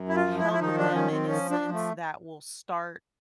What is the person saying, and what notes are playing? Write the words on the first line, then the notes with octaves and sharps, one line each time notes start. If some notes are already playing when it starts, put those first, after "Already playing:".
help them, in a sense that will start
Already playing: F#2
E4
F4
F3
E4
E4
D#3 D#4
D4
D#3 C#4
C4
F3 C#4
D4
F3
A3